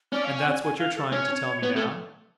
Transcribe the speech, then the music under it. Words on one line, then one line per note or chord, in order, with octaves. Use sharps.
"And that's what you're trying to tell me now?"
C#4 D5
F5
G#5
G#5
G#5
F5
A4
C#4 C#5
B3
A3